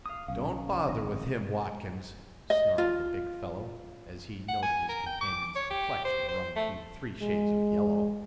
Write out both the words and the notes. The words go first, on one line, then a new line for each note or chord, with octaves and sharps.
"Don't bother with him, Watkins," snarled the big fellow, as he noted his companion's complexion run through three shades of yellow.
F5 D#6
B1 C#4 F5
A1 D3 C4 D#5
D#5
F4
F#5
G#5
A#4
G5
D6
C#5
G4
C5
C5
A3
G#3